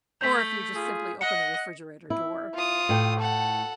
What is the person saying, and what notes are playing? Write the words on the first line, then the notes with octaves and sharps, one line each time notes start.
Or, if you just simply open the refrigerator door.
A3 G6 B6
F4 G#4
D#5 F#5 C#7
E4
F4 D#6
A2 D5 G5
A4 F#5